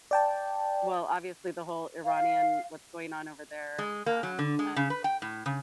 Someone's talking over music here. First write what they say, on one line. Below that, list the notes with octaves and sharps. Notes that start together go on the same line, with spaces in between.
well, obviously the whole Iranian what's going on over there, um, and
D5 G5 A5
F5
G#3
A#3
F#3
D3
G#3
C#3
B4
G5
A2
C#3